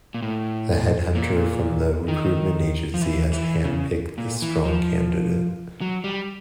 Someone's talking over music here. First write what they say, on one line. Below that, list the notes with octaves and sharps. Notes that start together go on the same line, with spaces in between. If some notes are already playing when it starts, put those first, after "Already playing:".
The head hunter from the recruitment agency has hand-picked this strong candidate.
A#2
A2
A#2
D#3
F3
E3
E3
C#3
A#2
E3
F3
F#3
G3